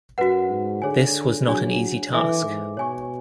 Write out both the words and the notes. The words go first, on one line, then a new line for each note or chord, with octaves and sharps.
This was not an easy task.
F#2 F#4 B4 F#5
G#2
D3 G#4 C#5 G#5
F#3 D4 G#4 C#5 G#5
E3 A4 E5 G#5 D6
G#2
B2 C#5 G#5 C#6